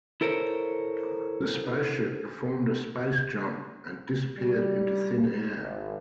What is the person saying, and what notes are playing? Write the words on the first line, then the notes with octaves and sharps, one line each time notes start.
The space ship performed a space-jump and disappeared into thin air.
E4 A4 A#4 C5 C#5
G3
G#1